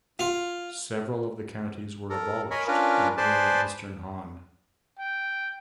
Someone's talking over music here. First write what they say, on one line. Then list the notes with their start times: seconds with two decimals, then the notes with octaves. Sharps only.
Several of the counties were abolished in early Eastern Han.
0.19 F4
2.10 A4 A#4
2.51 A#4 C#5 D#5 G#5 B5
2.68 C#4 D4 F4 A#4 B4
3.17 G#4 B4 C5 D5 A5
4.99 G5